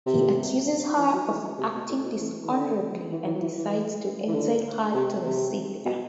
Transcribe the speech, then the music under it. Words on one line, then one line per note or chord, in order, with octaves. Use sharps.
He accuses her of acting dishonorably and decides to exile her to the Scythia.
C3
E3
F#3
E3
C3
B2
A2
B2
E3
E3
D3
E3
E3
F#3
E3
E3
E3
D3
C3
C3
B2